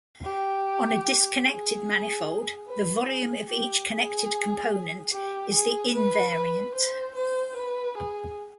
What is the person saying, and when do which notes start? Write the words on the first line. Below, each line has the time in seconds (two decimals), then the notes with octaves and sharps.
On a disconnected manifold, the volume of each connected component is the invariant.
0.24 G4
1.46 G#4
2.68 B4
3.08 G#4
3.50 G4
3.91 G#4
5.12 G4
5.53 G#4
5.94 B4
6.35 B4
6.75 C5
7.16 C5
7.56 B4
7.97 G#4